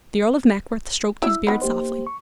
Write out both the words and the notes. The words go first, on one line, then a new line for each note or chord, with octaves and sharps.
The Earl of Mackworth stroked his beard softly.
E4 E5
D#3 B3 B5
A#3 G4 C5
C#6